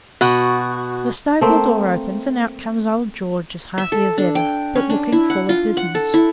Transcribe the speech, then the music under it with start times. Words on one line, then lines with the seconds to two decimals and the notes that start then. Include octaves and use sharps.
The stable door opens, and out comes old George as hearty as ever, but looking full of business.
0.21 B2 F#4
1.41 A3 A#3 C4
3.78 E5
3.92 A4
4.18 D4
4.35 G5
4.76 C#4
4.90 D4
5.12 E4
5.30 F#5
5.49 F4
5.77 F#5
5.95 A4
6.14 E4